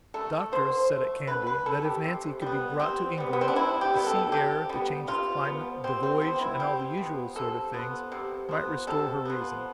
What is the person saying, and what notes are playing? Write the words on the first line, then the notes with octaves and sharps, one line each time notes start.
The doctors said, at Kandy, that if Nancy could be brought to England, the sea air, the change of climate, the voyage, and all the usual sort of things, might restore her reason.
A3 A4
D3 C5
A3
D3 B4
B4
A3 A4
G4
C3
G3 B3
C3 C4
G3 B3
B3
C4
D4
C3 E4
G4
G3 B3
A4
C3 G4
G3 B3
C3 F4
F3 B3
C3 C4
C4
F3 B3 C4
E4
C3 G4
F3 B3
C3 A4
F3 B3
C3
F3 B3
C3 A4
F3 B3